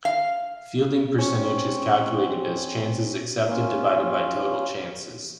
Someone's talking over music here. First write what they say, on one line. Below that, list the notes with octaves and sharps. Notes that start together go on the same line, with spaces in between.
Fielding percentage is calculated as chances accepted divided by total chances.
F5
C4 C#4 C#5
A#3 C#4 F4
G4 C#5